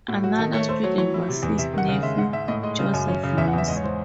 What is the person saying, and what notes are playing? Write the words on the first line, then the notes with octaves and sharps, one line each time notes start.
Another student was his nephew Joseph Moser.
A2 F#4
F#3 F#4
D#3 A4
A3 C#5
A3 C5
F#3 C#5
E3 C#5
E4
C3
E2
C3 E5
D#3 F#5
C#3 F#5
G#3 E5
G#2 F#5
G#2 E5
A2 D#5
G#3 D#5
C#3
F#2
C#4
C#3
E2 E5
F#5
E2 E5
G#2 D#5
C#5
C5